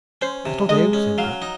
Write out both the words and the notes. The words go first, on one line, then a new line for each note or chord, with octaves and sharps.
"That'll do," said Pratt.
C#4 C5
C3
G#3 D#5
C#4
F#3 F5
D#4